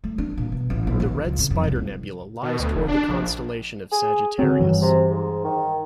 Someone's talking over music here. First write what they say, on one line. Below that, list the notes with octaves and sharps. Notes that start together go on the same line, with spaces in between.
The Red Spider Nebula lies toward the constellation of Sagittarius.
A3
D4
A#2
B2
A1
A#1
D#2
C#2
C#3
F2
C2
F2
B2
D2
F1
D4
A#1
G#4
D3 F#3 C4
G2 E3
C3
G#2
D#3